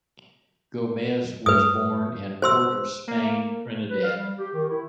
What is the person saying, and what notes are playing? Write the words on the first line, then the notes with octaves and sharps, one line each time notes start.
Gomez was born in Port of Spain, Trinidad.
G2 B4 D#6
C5 C6 E6
A#3
B4
F5
G3
G4
D#3
E4